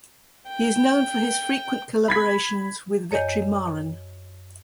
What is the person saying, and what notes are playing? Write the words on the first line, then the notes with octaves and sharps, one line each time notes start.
He is known for his frequent collaborations with Vetrimaaran.
G5
B5 G#6 B6
F#2 C#5 D#5 G#5 G6